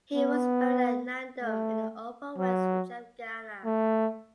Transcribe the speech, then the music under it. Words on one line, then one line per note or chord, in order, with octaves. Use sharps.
He was buried at Nandom in the Upper West Region of Ghana.
B3
A3
F#3
A3